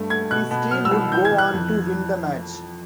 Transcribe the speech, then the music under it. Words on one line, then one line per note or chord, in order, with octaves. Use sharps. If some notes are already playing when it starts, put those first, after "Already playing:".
His team would go on to win the match.
Already playing: G2 A3
A3 G#6
B2 F#6
B2
F#3 F6
E6
C2
E3 G6
G#6
E3
F#6
F2